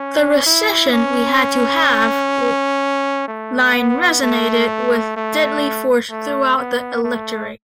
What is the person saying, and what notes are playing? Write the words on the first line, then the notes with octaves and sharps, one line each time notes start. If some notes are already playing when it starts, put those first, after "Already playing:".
"The recession we had to have" line resonated with deadly force throughout the electorate.
Already playing: C#4
E4
C#4
A3
B3
A3
A3
A3
B3
A3